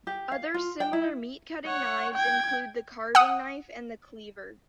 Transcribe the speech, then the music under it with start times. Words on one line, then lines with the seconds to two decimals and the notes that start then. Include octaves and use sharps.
Other similar meat-cutting knives include the carving knife and the cleaver.
0.07 G4
0.32 F5
0.54 F4
0.80 G5
0.93 E4
1.67 C#5 F#5
2.14 G5 G#6
3.15 F#5 D#6